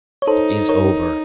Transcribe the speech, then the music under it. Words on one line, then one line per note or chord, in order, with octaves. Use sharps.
It is over.
C#5
D#4 A4 C5
A#4 C#5